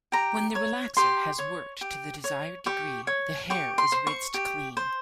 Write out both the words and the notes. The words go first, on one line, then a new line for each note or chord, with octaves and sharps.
When the relaxer has worked to the desired degree, the hair is rinsed clean.
G4 A#5
C#5
G4 C6
C#5
G4
C#5
G4 C#6
C#5
G4 C#6
C6
C5
C#6
G4
C5